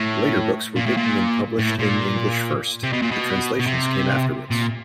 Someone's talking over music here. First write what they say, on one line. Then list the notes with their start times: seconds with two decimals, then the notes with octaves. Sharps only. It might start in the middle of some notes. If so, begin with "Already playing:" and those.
Later books were written and published in English first; the translations came afterwards.
Already playing: A2
0.76 A#2
0.86 A2
0.97 A#2
1.59 A2
1.79 A#2
2.83 C3
2.93 B2
3.02 A#2
3.11 B2
3.60 B2
3.67 C3
4.51 A#2